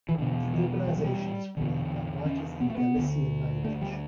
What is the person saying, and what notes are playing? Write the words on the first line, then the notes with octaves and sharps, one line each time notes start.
The organization is formed by writers in galician language.
E3
E2 B2 D3
E3
G3
F#3
G3
E2 D3
C#4
B3
A3
B3
D2 D3
A3
G3